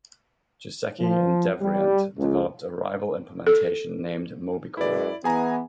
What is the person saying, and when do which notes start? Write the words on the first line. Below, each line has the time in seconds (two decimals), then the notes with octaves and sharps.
Giesecke and Devrient developed a rival implementation named Mobicore.
1.00 F3
1.61 G3
2.19 C#2
3.47 A4
4.77 F#2 G#3 E4 B4 D5
5.24 E3 B3 G#4 G#5 A#5